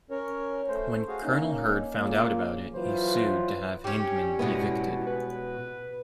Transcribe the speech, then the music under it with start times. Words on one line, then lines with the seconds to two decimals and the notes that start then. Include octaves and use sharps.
When Colonel Hurd found out about it, he sued to have Hyndman evicted.
0.11 C#4 A#4 C#5
0.68 A3 C5
1.08 F#4 G#4 C#5 F5
1.24 A#3 C#4 D#4
1.97 A#2 C#3 A#3
2.75 E3 F#3 F4 B4 C5
3.84 G3 C#4 G5
4.39 B2 G#3 B3 E4
5.06 B4